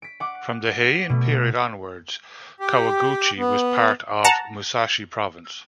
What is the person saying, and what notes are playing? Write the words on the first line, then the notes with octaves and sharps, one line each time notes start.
From the Heian period onwards, Kawaguchi was part of Musashi Province.
B6 D7
F#5 D6
B2 A3
G4
B3
F#5 A5 A#5